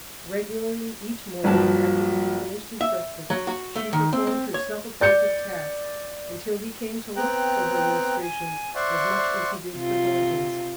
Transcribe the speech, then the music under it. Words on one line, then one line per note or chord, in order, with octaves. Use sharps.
Regularly, each morning after he had finished his breakfast, she performed her self-appointed task, till he came to look for her ministrations as much as he did for Thornton's.
A#1 G2 F3 F#3 A5
E5
F#3
F#4
A3
D#3
C4
C4
C#5
D5 G6 C#7
B3 C4 G5 A#5 F#6
G#5
C5 D5 E5 F#5 C6 C#6
C3 F4